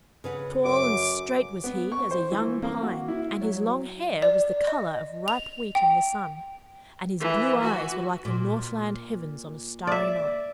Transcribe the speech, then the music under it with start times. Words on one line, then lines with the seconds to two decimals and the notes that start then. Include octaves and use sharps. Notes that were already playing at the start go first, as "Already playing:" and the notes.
Tall and straight was he as a young pine, and his long hair was the colour of ripe wheat in the sun; and his blue eyes were like the northland heavens on a starry night.
0.24 C#3 B4 F#5
0.65 F#2 D6
1.64 B3
1.92 C#6
2.11 C5
2.32 E3
2.63 A#3
2.83 F#4
3.08 E4
3.41 F#3
4.22 D5
4.67 D#5
5.28 F7
5.75 G5
7.20 E3
7.63 F#4
8.25 A#2
9.87 D5 E5